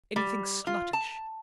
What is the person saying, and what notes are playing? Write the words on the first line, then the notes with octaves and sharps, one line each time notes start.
Anything sluttish?
G3
F4
A5